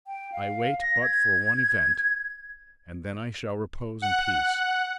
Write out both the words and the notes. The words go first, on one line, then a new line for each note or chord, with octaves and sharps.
I wait but for one event, and then I shall repose in peace.
G5
F5
A#6
G#6
F#5